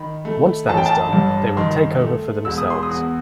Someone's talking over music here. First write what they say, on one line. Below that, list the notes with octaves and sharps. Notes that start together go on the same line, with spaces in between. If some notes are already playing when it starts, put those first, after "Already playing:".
Once that is done, they will take over for themselves.
Already playing: D#3 B5
A3
A1 A5
G5
A5
G2
D#3 C6
A3
E1 E6
D#6
C6
D#6
E2